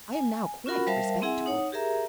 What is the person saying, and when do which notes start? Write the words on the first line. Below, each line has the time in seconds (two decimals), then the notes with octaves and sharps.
"I am now quite respectable."
0.13 G#5
0.66 C#4 F4 F#4 A#4 F#5 B5
0.87 G3 A#4 C5 E5 F5 A5
1.22 C4 E4 G#4 E5 F#5 G#5
1.46 D#4 C#5 F#5 D#6
1.72 G4 G#4 A#4 E5 A#5